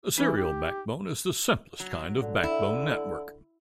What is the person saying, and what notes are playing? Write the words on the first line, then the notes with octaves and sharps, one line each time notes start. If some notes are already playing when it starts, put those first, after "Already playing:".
A serial backbone is the simplest kind of backbone network.
E3 D#4
G4
F#3
D3
E4